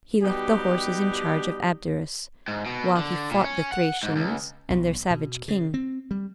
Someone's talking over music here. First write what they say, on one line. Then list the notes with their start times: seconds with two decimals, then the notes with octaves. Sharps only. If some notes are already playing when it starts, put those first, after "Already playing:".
He left the horses in charge of Abderus while he fought the Thracians and their savage king.
0.23 B2 G3 D#4 G4
2.48 G#2
2.66 B2
2.97 D3
3.31 A#2
3.44 C#4
3.72 F#5
4.03 G#2
4.16 C#2
4.70 B1
5.11 B2
5.48 C#3
5.74 C4
6.11 G3